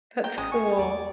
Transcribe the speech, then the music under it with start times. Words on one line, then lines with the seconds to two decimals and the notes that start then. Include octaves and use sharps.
That's cool.
0.24 G5 A#5
0.38 A1 G#3 C#4 D#6
0.52 G#5 C#6
0.79 E2 D5